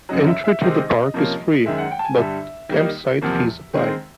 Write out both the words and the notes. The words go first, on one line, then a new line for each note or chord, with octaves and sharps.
Entry to the park is free but camp-site fees apply.
F#2 C#3 F#3 D#5
E5
E5
C3 D#3 G#3 C4 D#4 D#5
C3 F3 A#3 C#4 F4
F#2 D#3 G#3 E5
F#5
G5
A5
G#5
G2 D3 G3 E5
D#3 G3 A#3 D#4
E2 C3 F3 A#3
D#3 G#3 C4